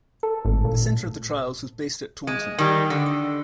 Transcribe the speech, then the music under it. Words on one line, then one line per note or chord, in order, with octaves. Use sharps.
The Centre of the trials was based at Taunton.
A4
G#1 A2
A#2
G#3
D#3 G3
D3